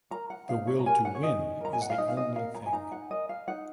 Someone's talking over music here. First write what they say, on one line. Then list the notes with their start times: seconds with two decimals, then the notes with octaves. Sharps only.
The will to win is the only thing.
0.11 A#4 A#5
0.30 F#5
0.49 D#4 F5
0.67 C#5
0.79 A#5
0.86 A#4 G#5
1.05 F#5
1.15 C#5
1.23 D#4 D#5
1.61 A#4 A#5
1.73 G#5
1.82 F#5
1.90 F5
1.98 D#4 D#5
2.08 F5
2.17 D#5
2.36 A#4 F5
2.55 A#5
2.66 G#5
2.72 D#4 A#5
2.92 F#5
3.10 A#4 D#5
3.29 F5
3.48 D#4 F#5